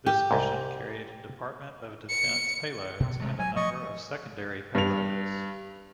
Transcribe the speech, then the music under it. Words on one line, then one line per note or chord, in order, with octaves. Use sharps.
This mission carried Department of Defense payloads and a number of secondary payloads.
G4
C2 G#2
C#7
B2
C3 G#3 A3
F#3 G#5
F3 A3 D#5 C#6
G2 F7